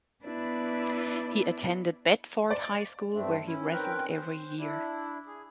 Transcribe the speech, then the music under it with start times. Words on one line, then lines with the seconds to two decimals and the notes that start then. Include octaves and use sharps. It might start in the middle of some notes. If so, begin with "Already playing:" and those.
He attended Bedford High School where he wrestled every year.
0.24 B3 D4 E4 B4 D5
2.51 D5
3.13 G2 A3 C4 D4
3.45 C#4 E4
3.71 D#3 C4 C#4 A#4 B4 G5
4.12 C5
4.57 D4 E4
5.26 G#4